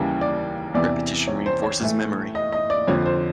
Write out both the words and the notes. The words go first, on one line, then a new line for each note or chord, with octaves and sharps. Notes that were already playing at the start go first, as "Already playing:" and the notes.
Repetition reinforces memory.
Already playing: D#2 C#3 E3 G3 A#3
D5
E2 C3 E3 D5
C#5
C5
C#5
A2 E3 A3
D#5
D#5
D5
F2 D3 F3 C#5
C5